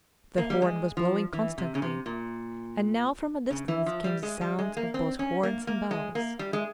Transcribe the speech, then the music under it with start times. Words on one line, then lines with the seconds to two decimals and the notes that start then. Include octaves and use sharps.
The horn was blowing constantly, and now from a distance came the sounds of both horns and bells.
0.38 A#3
0.50 G3
0.62 G#3
0.97 F3
1.33 E3
1.58 C3
1.75 C#3
1.82 C3
2.06 A#2
3.50 C#3
3.68 E3
3.86 F3
4.04 G3
4.23 G#3
4.41 G3
4.59 G#3
4.77 A#3
4.94 C4
5.19 C#4
5.43 A#3
5.67 A#3
5.91 G#3
6.15 A#3
6.39 G3
6.53 G#3